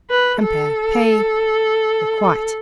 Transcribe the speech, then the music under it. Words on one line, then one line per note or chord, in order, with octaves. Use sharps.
Compare PAY; REQUITE.
B4
A4